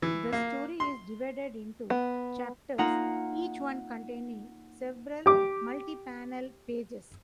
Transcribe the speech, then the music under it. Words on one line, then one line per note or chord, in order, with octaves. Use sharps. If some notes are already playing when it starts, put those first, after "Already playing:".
The story is divided into chapters, each one containing several multipanel pages.
E3
A#3
C6
B3
A#3 D#4 F4 F#5 A#5
G4 D6